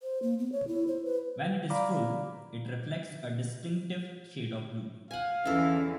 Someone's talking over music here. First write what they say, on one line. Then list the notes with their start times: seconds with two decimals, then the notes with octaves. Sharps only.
When it is full, it reflects a distinctive shade of blue.
0.02 C5
0.22 A#3
0.39 B3
0.52 C#5
0.68 E4
0.88 C5
1.05 B4
1.70 D5 F5 A#5 B5 D6
5.11 F5 F#5 G#5
5.45 E2 D3 E3 C#4 E4 A4